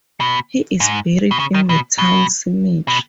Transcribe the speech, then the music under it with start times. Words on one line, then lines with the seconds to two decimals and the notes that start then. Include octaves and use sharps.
He is buried in the town cemetery.
0.20 B2
0.80 G#2
1.31 B2
1.39 C#3
1.54 D#3
1.69 B2
1.98 B2
2.88 B2